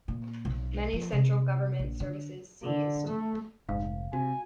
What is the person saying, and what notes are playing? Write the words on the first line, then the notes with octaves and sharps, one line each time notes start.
Many central government services ceased.
A#2
B1
F3
C3
A#1
D3
D3
A3
F1 G#2 F5
C3 F#4 G#5